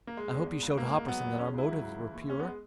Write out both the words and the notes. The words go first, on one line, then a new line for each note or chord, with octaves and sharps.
"I hope you showed Hopperson that our motives were pure?"
A#3
G#3
E2
G#3
C#2
G#2 A#3
G#2
F#3 B3
E2
G#3 C#4
C#2 E4
F#3
C#2
E3
D#2
G#3 C#4
B3
G#3